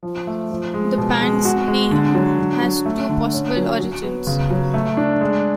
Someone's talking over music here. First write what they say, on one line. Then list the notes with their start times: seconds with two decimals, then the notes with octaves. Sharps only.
The band's name has two possible origins.
0.03 F3
0.27 A3
0.50 F3
0.74 G#3
0.98 B2
1.21 G#3
1.45 F#4
1.68 G#3
1.91 D3
2.15 F#3
2.39 D3
2.62 F#3
2.86 A3
3.09 D3
3.33 C#4
3.56 F#3
3.80 F#3
4.03 B3
4.27 C#3
4.50 F#3
4.74 A3
4.97 D4
5.21 G#3